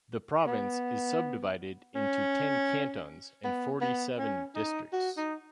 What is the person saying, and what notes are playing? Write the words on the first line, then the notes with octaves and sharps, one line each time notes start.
The province is subdivided into ten cantons and forty seven districts.
B3
C#4
B3
B3
C#4
D#4
F#4
D#4